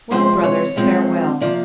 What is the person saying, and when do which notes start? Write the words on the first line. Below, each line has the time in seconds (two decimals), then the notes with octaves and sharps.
'Well, brothers, farewell!
0.11 C3 F3 G#3 C4 C5
0.44 C#5
0.76 C3 F3 G#3 C4
1.40 C3 F3 A#3 D5